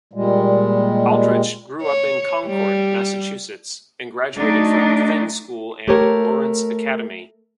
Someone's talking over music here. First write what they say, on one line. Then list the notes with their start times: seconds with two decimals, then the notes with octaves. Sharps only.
Aldrich grew up in Concord, Massachusetts, and graduated from Fenn School and Lawrence Academy.
0.13 A#2 G3 G#3
1.82 C#5
2.47 G3
4.35 F#3 A3 D4 D#4
5.88 A3 G4 A#4 C#5